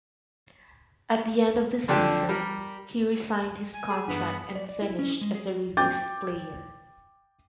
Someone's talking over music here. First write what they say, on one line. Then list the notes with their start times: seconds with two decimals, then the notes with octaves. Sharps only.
At the end of season, he resigned his contract and finished as released player.
1.88 F2 D3 D4 G4 A5
2.29 G3 A#4
3.74 G#5
3.90 G#4 A5 E6
4.08 G2 E3 B3 F#5 B5
4.55 D5
4.69 D5
4.82 E4
4.99 C#4
5.21 G#3
5.35 G#4
5.49 F#4
5.77 G5 D6 G6 A6